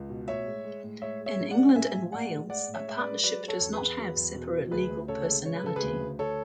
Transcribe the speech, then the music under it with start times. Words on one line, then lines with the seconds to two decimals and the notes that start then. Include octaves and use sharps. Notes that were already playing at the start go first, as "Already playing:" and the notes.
In England and Wales, a partnership does not have separate legal personality.
Already playing: C#2
0.09 B2
0.28 A2 C#5 E5
0.46 G#3
0.65 G#3
0.83 A2
1.02 G#3 C#5 E5
1.21 G#3
1.26 C#5 E5
1.38 A2
1.51 D5 F#5
1.57 G#3
1.75 A2 E5 G#5
1.94 A2
2.12 A2 D5 F#5
2.31 G#3
2.49 G#3 D5 F#5
2.68 A2
2.74 C#5 E5
2.87 G#3 E5
2.99 B4 D5
3.05 G#3
3.23 F#3 B4 D5
3.42 F#3
3.48 A4 C#5
3.61 E2
3.73 G#4 B4
3.79 E2
3.97 F#3
4.16 E2
4.35 B2
4.53 F#3
4.71 D2 G#4 B4
4.90 D2
5.08 C#3 A4 C#5
5.27 G#3
5.45 G#3 C#5
5.56 B4
5.64 C#3 A4
5.76 G#4 B4
5.82 D2
6.01 D2
6.19 A4 C#5